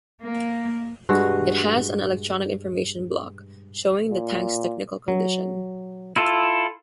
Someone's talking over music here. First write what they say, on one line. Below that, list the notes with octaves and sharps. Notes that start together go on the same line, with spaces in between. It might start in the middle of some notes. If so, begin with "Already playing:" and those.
It has an electronic information block showing the tank's technical condition.
A#3
G2 G#3 F#4
A#2
F#3
E4 F4 A4